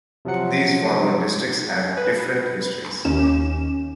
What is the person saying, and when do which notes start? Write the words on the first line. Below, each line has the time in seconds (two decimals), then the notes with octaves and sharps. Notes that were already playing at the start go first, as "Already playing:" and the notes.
These former districts have different histories.
0.25 C3 F3 F#3 F#5 C#7
1.97 B4
3.05 D#2 C#4 E7